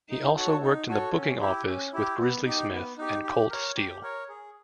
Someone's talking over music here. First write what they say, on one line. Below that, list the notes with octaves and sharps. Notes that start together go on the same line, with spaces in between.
He also worked in the booking office with Grizzly Smith and Colt Steel.
D#4
F#4 A4 C#5
D#4
F#4 A4 C#5
C#4
E4 G4
C#4
E4 G4
B3
D#4 G4
B3
D#4 G4
G4
A#4 C#5
G4
A#4 C#5
G#4